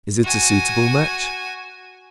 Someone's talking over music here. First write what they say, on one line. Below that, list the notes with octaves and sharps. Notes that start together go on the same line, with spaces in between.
"Is it a suitable match?"
F#4 G#5